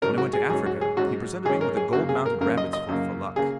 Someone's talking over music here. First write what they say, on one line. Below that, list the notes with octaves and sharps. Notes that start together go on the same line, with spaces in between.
When I went to Africa he presented me with a gold-mounted rabbit's foot for luck.
G#2 F#3 C#4 A#4
F#4
G#4
G#2 F#3 C#4 G#4
F#4
G#4
G#2 F#3 C#4 F#4
G#2 F#3 C#4 G#4
A#4
G#4
F#2 C#3 A#3 F#4
G#4
A#4
F#2 C#3 A#3 A#4
D#5
D#5
F#2 C#3 A#3
C#3 A#3 G#4